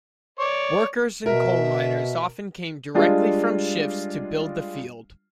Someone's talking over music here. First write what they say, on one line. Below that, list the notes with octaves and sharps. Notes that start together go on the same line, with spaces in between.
Workers and coal miners often came directly from shifts to build the field.
C#5 D5
B2 A#4 E5
G3 G#3 D4 F4